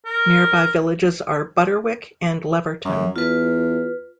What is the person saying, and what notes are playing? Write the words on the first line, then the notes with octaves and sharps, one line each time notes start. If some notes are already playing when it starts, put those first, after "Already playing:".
Nearby villages are Butterwick and Leverton.
A#4
F#2
E2 F4 B4